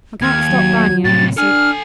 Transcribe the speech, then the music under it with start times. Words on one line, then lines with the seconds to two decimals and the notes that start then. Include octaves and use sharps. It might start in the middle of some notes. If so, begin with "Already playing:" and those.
'I can't stop barneying,' I said.
0.22 D#2 F6 G#6
0.49 F#3
1.04 A2 C3 A6
1.37 D4 A4 G#5 F6